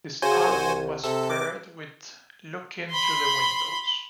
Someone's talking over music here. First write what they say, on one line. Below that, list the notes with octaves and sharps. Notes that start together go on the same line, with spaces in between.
This album was paired up with "Lookin' Through the Windows".
C#3 F#4 C5 G#5
C2
C3 A4
D6
B5 C6